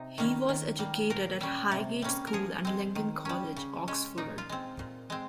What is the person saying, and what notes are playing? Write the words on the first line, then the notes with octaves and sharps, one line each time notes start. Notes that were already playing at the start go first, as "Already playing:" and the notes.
He was educated at Highgate School and Lincoln College, Oxford.
Already playing: C3 D#4
D#3 G3 A#3 C#4
D#3
G3 A#3
A#2 A#4
G3 C#4
C3
G3 A#3 C#4
A#4
F3 G#4
G#3 C4
D#3
G3 C#4
C#3
G#3 C#4
A#2 D#4
F4
G#3 C4
A#2
G#3 C4